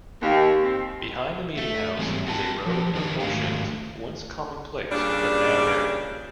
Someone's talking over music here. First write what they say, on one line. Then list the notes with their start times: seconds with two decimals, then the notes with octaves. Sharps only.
Behind the meetinghouse is a row of horse sheds, once commonplace but now rare.
0.21 D#2
0.62 C4
1.57 A3 E5
1.99 G#2 E3 G3 C4 G4 G#4
2.26 C4 F#5 A5
2.66 F3 D4
2.95 D#3 D4 D#4 G#4 A#4 B4
3.20 G#2 D#3 A3 D4 F#4 F5
4.91 A#2 C#3 G3 D4